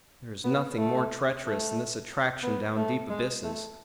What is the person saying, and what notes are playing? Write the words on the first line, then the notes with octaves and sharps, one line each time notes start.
There is nothing more treacherous than this attraction down deep abysses.
B3
A3
A3
B3
A3
G#3
A3